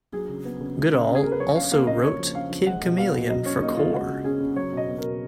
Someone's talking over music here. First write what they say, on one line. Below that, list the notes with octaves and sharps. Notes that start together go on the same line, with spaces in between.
Goodall also wrote Kid Chameleon for Cor!!
F#3 G#4
C#3
B3
C#3
G#3
C#3
C#4
G#4
C#3 A#4
B4
F#3 C#5
C#4 F5
A#3 F5
C#3 D#5
A#3 C#5
F3
C#4 F5
F3
G#3 F#5
B2
B3 F5
B2
F#3 D#5
C#4 C#5
A#3 D#4
C#3 F4
G#3 F#4
C#3
C#4 G#4
C#3
F#3 C#5
B2
D#5
B3
A#4
B2